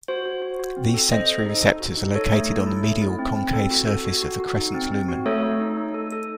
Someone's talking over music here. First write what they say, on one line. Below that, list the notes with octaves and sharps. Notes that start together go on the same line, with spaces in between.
These sensory receptors are located on the medial concave surface of the crescent lumen.
F#4 C5
F#4
F#4
F#4
C4
A4
A4 C5 D#5
A4
D#4
A4
F#4
D#4
D#4 A4 C#5
A3
D#4
E4
A3
E4
C4
C4
A4
F#4
A4
F#4
F#4
F#4
D#4
C4
C4
F#4
A3 A4 C#5
A3
D#4
D#4
A4
A4